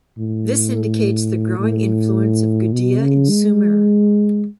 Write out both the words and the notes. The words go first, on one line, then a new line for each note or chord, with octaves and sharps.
This indicates the growing influence of Gudea in Sumer.
A2
A2
B2
C#3
G#3